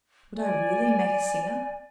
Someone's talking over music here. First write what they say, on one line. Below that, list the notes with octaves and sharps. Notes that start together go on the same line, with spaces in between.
Would I really make a singer?
D5 G#5